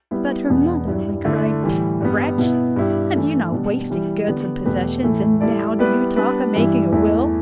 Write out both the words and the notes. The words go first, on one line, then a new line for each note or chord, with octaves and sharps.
But her mother only cried: 'Wretch! have you not wasted goods and possessions, and now do you talk of making a will?'
G3 B3 E4
E2 B2 B3 D4
G2 G3 E4
D3 A3 E4
A2 E3 G3
G2 G3 B3
B2 B3 E4
G2 G3 E4 G4
E3 A3 D4
B2 G3 D4
E3 G3 E4
D3 B3 G4 D5
E2 B2 A3 G4 B4
A2 E3 A3 E4
G3 E4 A4 D5
G3 B3 E4 B4 D5
G3 B3 D4 B4
G2 E3 G3 E4
E2 E3 A3 E4